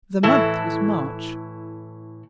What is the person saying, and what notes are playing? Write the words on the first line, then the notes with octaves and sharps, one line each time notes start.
The month was March.
A2 E3 E4 A4